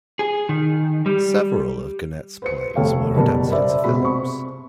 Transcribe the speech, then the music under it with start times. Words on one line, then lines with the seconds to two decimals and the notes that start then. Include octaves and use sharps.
Several of Genet's plays were adapted into films.
0.19 G#4
0.49 D#3
1.06 G3
2.42 B4 C5 C#7
2.75 F1 A3 A4 C#5 F5 G5
3.16 F#1 B2 G3 A#4 A5
3.52 C5 D5 E5 B5
3.84 B2 G#3 F#4 B5
4.00 C3 C5 C#6